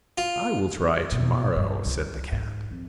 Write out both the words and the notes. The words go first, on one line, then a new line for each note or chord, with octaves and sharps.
"I will try to-morrow," said the cat.
F4
B2
G2
C#2
G#2
F2